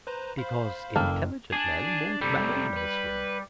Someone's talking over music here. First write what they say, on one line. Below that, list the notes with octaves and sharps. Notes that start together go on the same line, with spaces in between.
"Because intelligent men won't marry nice women."
B4 C5 A#5
C5 F5 B5
F#1 A#3 A4 G5 F6
D4 G#4
C3 G3 A3
B4